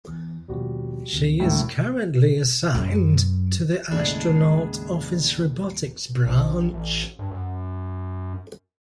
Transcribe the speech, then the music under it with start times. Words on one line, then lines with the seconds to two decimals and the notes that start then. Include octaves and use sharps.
She is currently assigned to the Astronaut Office Robotics Branch.
0.08 E2
0.48 D#2 B2 F3 G3 F#4
1.13 D2 C3 E3
1.40 E1 A2
2.75 F#2
3.91 D#2 A2 C#3 G#3 D4 G#4 D5
6.26 A#1
6.73 A1
7.19 G2
7.31 F#2